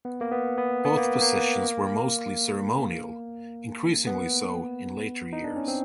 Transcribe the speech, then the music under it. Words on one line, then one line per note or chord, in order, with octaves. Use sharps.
Both positions were mostly ceremonial, increasingly so in later years.
B3
A#3
B3
B3
B3
A#3
A#3
B3
D#4
D4
C#4
C4